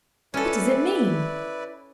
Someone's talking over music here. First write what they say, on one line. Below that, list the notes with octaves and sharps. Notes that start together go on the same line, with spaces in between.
"What does it mean?"
C#4 E4 A4 B4 D5